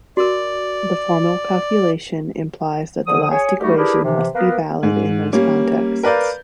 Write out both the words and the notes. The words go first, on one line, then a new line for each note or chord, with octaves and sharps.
The formal calculation implies that the last equation must be valid in those contexts.
F#4 A#4 D5
D3 F3 D#6
G#4 C#5 G#5
D3 G3 A3 D#4 F#4 G4
D4 E4 G4 G#4 A#4 B4
C3 E3 F3
A#3 B3 A#4 B4
G#2
G3 A#3 C#4
A#4 B4 D5 F5 G6